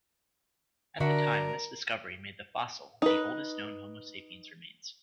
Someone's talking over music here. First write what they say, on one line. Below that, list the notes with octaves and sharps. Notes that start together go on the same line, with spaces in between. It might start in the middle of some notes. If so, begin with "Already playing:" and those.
At the time, this discovery made the fossils the oldest known "Homo sapiens" remains.
D3 D4 F#4 A#4 E5
D#4 B4